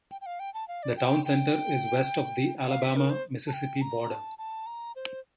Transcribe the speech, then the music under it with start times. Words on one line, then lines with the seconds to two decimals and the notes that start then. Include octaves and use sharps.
The town center is west of the Alabama-Mississippi border.
0.11 G5
0.21 G5
0.26 F5
0.40 G5
0.54 A5
0.68 F5
0.83 D5
0.97 G5
1.25 G5
2.68 F5
2.82 E5
2.96 A#4
3.10 C5
3.47 A5
3.53 G5
3.81 A#5
4.10 A5
4.38 A5
4.67 A#5
4.96 C5